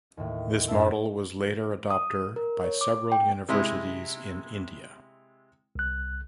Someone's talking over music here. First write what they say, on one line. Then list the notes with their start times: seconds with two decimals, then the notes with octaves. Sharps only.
This model was later adopter by several universities in India.
0.17 D#2 A2
0.68 F#2 D4 E5 A5 E6
1.90 D#6
2.36 A#4
2.64 C#5
2.81 D6
3.12 G5
3.49 C3 G#3 E4
5.75 C2 F#6